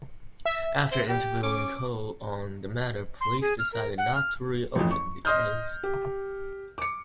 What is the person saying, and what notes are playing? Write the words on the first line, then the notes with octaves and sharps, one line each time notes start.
After interviewing Cole on the matter, police decided not to reopen the case.
E5
C5
G4
C#4 D6
C6
G#4
F6
A#4
F#5
F6
A1 F2
C#6
D#5 C6 D#6 F6 G6
G4
D6 C#7